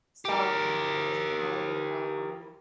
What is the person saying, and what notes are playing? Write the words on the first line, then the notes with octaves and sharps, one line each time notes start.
Stahl currently lives in Hollywood, California.
G4 A#4